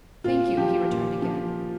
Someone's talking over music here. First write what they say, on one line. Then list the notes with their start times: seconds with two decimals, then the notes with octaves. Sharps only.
"Thank you," he returned again.
0.24 A#2 F4
0.57 F3 G4
0.90 A#2
1.22 F3